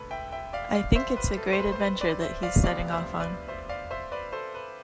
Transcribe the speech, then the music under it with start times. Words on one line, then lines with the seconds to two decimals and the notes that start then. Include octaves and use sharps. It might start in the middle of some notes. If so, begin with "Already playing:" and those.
I think it's a great adventure that he's setting off on.
Already playing: E1 D2 D3 A4 B4
0.11 E5 G5
0.32 E5 G5
0.53 D5 F5
0.74 D5 F5
0.95 C5 E5
1.16 B4
1.37 A4
1.53 C5
1.59 B4
1.72 C5
1.79 B4
2.01 B4 D5
2.22 C5 E5
2.43 D5 F5
2.64 D2 C3 F3 B3 D4 D5 F5
2.92 C5 E5
3.20 B4 D5
3.48 C5 E5
3.69 D5 F5
3.91 C5 E5
4.12 B4 D5
4.33 A4 C5
4.55 B4